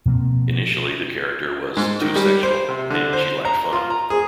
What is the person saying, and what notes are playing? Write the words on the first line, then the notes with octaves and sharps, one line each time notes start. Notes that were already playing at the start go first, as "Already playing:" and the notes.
Initially the character was "too sexual," then she lacked fun.
B2 F3 A#3 C4
G#2
D#3
G3
C5
C3
D3
C5
A#5
F4
A#5
G#4